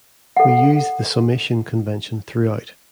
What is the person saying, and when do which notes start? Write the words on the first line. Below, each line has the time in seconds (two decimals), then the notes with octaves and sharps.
We use the summation convention throughout.
0.37 A4 F#5